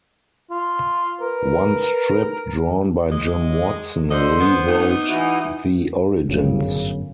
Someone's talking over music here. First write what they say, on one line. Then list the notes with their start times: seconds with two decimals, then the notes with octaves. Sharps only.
One strip drawn by Jim Watson rewrote the origins.
0.50 F4
1.21 A#4 B4
3.12 G#3 D#5
4.11 D3 C5 D#5
4.40 B3
4.68 D#4
5.07 E3 E4 F#4
6.29 G1 F#2 A2 C#3